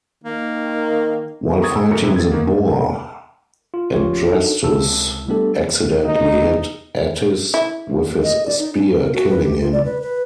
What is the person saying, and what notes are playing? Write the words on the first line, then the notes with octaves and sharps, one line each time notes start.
While fighting the boar, Adrastus accidentally hit Atys with his spear, killing him.
D#3 A#3
A#5 C#6 D#6 G#6 A6
E6
F#2 D#3 A4 A#5 C#7
C3 E4
G#6 A6
D#3 A#3 B3
F4
G#1 F3 C#4 F4 G4 C#5
D4 D#4 F#4 A4
C#2 C3 E4 A5 E6
G3 A3 B3 D4 G4 A4
D#4
E4
D#5
D5
D#4
C#4
A#4
F#4
B4
G4
F4
D5
B4
B4